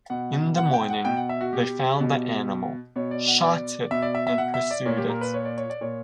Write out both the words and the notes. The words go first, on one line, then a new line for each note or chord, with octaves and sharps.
In the morning, they found the animal, shot it and pursued it.
B2 F#5
F#5
G5
F#5
B2 G5
F#5
E5
F#4
G4
B2
B2 C#5
D5
F#5
D5
B2 E5
D5
E5
E5
F#5
E5
D5
A#2 C#5
G4
A#4
B4
C#5
D5
C#5
D5
A#2 C#5